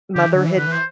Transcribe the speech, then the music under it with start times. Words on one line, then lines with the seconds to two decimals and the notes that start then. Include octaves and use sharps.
mother had
0.15 D3 G4
0.26 E3
0.35 D3
0.46 E3
0.57 D3 B4
0.67 E3 C5